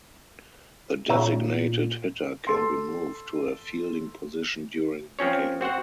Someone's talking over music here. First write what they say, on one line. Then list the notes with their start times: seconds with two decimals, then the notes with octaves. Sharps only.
The designated hitter can be moved to a fielding position during the game.
1.09 A#2 C#3 E5 A#5
2.47 A4 C6
5.19 F3 C4 C#4 C#5
5.61 C4 F#4 C5 F#5